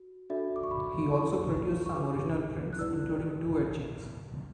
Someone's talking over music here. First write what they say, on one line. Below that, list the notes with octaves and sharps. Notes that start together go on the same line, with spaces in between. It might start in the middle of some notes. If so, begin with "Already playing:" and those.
He also produced some original prints, including two etchings.
Already playing: F#4
D4 F#4 A4 D5 E5
D6
C#6
B5
E4 A4 C#5 C#6
C#6
D4 G4 B4 D6
F#6
E4 B4 D5 E6